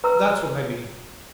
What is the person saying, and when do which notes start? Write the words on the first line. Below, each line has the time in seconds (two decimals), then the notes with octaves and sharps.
That's what I mean.
0.04 B4 A#5 E6